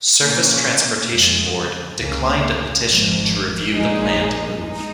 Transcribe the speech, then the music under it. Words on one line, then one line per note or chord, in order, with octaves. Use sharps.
Surface Transportation Board declined a petition to review the planned move.
A#2 A#3 C#4
F2 C#3 G#3
C#2 C#3 A#3 C#4
G#1 G#2 F3
A#1 A#2 G#3 D#4 G#4
G#3 D#4